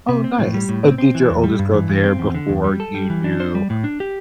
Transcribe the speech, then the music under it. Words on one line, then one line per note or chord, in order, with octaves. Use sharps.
Oh, nice, and did your oldest go there before you knew
C3
C4
A2
G3
A2
C4
C4
E3
E2
G3
G2
E3
G2
C4
E2
D3
E2
G3
A4
G3
E3
D4
C5
G3
A2
D4
G4